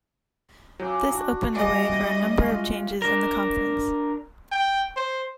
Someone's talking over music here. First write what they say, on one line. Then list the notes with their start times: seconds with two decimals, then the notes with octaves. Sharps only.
This opened the way for a number of changes in the conference.
0.80 C#3 F#3 G5 D6
1.12 F#3 D4 F#4
1.53 E3 G3 A#3 G#4 D#5
2.37 G#3 C#4 F4 F#4
3.02 D4 A#4
4.52 G5
4.96 C5